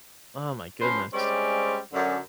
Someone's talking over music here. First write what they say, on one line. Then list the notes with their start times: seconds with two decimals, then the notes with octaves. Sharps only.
Oh my goodness.
0.81 F3 C#4 B4 C5 C6
1.14 G3 G#3 C4 C#4 D5
1.93 F#2 D3